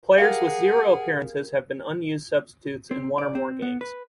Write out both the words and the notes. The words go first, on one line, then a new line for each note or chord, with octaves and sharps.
Players with zero appearances have been unused substitutes in one or more games.
G4 G#4 A#4 F5 F#5
C4
D5
C4
B3
B4